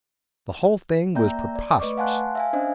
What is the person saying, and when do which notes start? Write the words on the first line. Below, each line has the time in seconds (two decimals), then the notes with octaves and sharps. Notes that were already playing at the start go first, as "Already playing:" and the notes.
The whole thing was preposterous....
1.15 A#3 D5 E5 G5 A#5 G6
1.56 D5
1.80 A3 B4 D#5 C#6 D6
1.97 F5 F#5 G#5 A5 C6 F#6
2.35 E5 F5 G#5
2.53 C#4 D4 C5 D#5